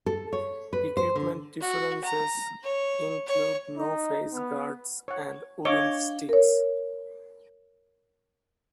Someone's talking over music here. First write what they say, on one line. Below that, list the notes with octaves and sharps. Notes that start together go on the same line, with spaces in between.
Equipment differences include no face guards and wooden sticks.
A4
C#5
B4
C5
D3
F#4
A#5
C#5
C#5
D#4
B3
C#5 F#5
D4 C#5 D#5 F5 D6 G7
A#4 C#5